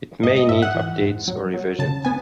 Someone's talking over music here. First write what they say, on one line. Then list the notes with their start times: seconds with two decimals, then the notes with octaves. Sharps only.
It may need updates or revisions.
0.23 G#2 D#5
0.36 D#5
0.49 G#2 E5
0.62 F#5
0.75 E3
1.02 G#2
1.28 F#3
1.54 F#3
1.79 C#3 A5
2.05 B3 G#5